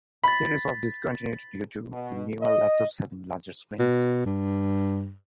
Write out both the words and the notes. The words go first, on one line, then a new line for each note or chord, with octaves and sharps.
The series was discontinued due to newer laptops having larger screens.
B5 A6 B6
B2
D#5
B2
G2